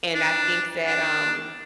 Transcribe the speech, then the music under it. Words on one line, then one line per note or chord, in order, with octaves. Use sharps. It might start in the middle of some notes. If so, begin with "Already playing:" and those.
And, I think that, um
D4
D4